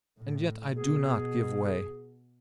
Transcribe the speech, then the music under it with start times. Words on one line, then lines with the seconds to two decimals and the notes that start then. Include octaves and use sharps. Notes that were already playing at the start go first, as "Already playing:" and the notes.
And yet I do not give way.'
0.17 A2
0.74 B2 G#4